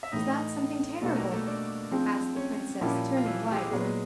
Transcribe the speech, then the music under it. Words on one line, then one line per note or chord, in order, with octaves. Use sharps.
"Is that something terrible?" asked the princess, turning white.
E5
A2 E3 A3 D#4 D#5
B2 G3 A3 B3 D#4 F#4 A4
A#3 A#4
A3 A4
D4 D5
F3 G#3 C4
C#4 C#5
A#2 F3 G3 A#3 C#4 E4 G4
F4
E3 E4
G4
G#3 G#4
A#2 F#3 G#3 B3 G#4